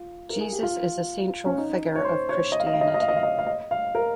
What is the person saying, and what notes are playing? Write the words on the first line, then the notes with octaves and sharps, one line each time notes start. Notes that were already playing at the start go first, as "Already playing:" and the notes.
Jesus is the central figure of Christianity.
Already playing: F4
A#4
G#4
G4
F4
C#4
D#4
C#5
C5
C#5
D#5
F5
D#5
F5
D#5
F5
D#5
F5
D#5
F5
D#5
F5
D#5
F5
A#4